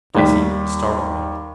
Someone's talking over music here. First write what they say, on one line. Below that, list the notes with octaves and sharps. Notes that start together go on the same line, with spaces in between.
"Jesse, you startled me."
D#2 G3 B6